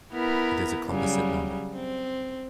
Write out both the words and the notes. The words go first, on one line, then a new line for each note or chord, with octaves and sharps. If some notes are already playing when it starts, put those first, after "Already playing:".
It is a composite number.
B3 E4 A#4
C#3 F#3 G3
C4